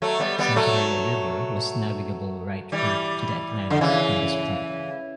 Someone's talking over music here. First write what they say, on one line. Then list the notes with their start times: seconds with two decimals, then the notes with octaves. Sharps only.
Santa Maria River was navigable right through to the Atlantic from this point.
0.02 F#3 A3
0.20 G3 B3
0.38 G3 B3
0.56 F#3 A3
2.72 E3 G3
3.70 D3
3.81 C#3 E3